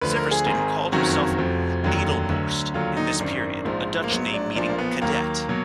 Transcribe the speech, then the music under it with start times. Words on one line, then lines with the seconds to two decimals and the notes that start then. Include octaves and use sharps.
Sivertsen called himself "Adelborst" in this period, a Dutch name meaning "cadet".
0.01 D2 D3 F3 B4
0.16 A#4
0.31 G#4
0.46 G#1 G#2 D#3
0.92 F#1 F2 D#3 F#3 F#4
1.38 F1 F2 F3
1.83 F1 D#2 D3 F#3
2.29 D2 D3 F#3
2.74 D#2 D3 F#3 F4
2.97 D#4
3.19 G#1 F#2 D#3 D4
3.65 A#1 G#2 F3
4.04 A#3
4.10 A#1 G#2 F#3 B3
4.34 D4
4.55 B1 A#2 F3 D4
4.69 A#3
4.78 B3
5.01 D#2 D#3 F#3 A#3
5.49 B2 F#3